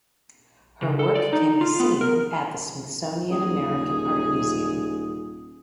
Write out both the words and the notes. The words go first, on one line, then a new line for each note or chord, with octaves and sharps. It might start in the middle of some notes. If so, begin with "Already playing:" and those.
Her work can be seen at the Smithsonian American Art Museum.
C#3
A4
D5
D#4
F4
B3
A#4
D#1 G#4